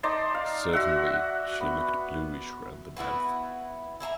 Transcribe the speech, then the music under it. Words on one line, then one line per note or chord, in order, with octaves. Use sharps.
Certainly she looked bluish round the mouth.
D#4 D5 A5 C6
F5
F#4 E5 F#5
B3
B3 E4 F#4 B4
E4 E5 A5 A#5